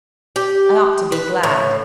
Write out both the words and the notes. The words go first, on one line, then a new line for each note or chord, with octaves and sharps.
I ought to be glad.
G4
B4
A2